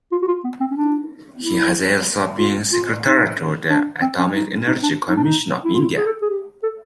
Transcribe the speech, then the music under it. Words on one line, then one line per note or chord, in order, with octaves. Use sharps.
He has also been Secretary to the Atomic Energy Commission of India.
F4
F#4
F4
B3
C4
C#4
D4
E4
F4
F4
D#4
D4
C4
C#4
D#4
D#4
D4
D#4
D4
D#4
E4
F4
E4
G#4
A4
G#4
G4
A4